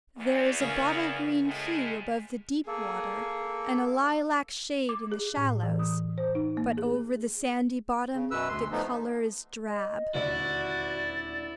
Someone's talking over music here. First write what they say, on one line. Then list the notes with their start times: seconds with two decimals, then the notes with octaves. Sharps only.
There is a bottle-green hue above the deep water, and a lilac shade in the shallows; but over the sandy bottom the colour is drab.
0.18 E2
0.60 C#3 A#3 C#4
1.45 A2 G#3
2.67 A#3 G#4 A4
4.89 D6
5.12 G#4
5.37 A2
5.63 E3
5.79 D#6
6.18 C5
6.35 D#4
6.57 A#3
6.77 G#4
8.15 C#3
8.31 F#2 B2 B4 E6
8.49 D2 C6
8.71 F3 A3 B3 D#4
9.68 D#5
10.14 D#1 D2 E4 F#4 D5 A6